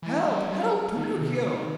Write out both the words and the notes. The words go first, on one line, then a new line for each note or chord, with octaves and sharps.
"Help, help, Pinocchio!"
E3
G3
F#3
D#3
C3
D#3